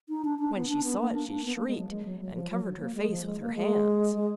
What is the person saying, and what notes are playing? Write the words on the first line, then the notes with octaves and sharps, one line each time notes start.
When she saw it she shrieked, and covered her face with her hands.
D#4
D4
D4
B3
D4
B3
A#3
D4
D4
B3
A#3
G#3
F#3
G#3
F#3
F#3
F3
F#3
F#3
A#3
G#3
F3
G#3
A#3
G#3
G#3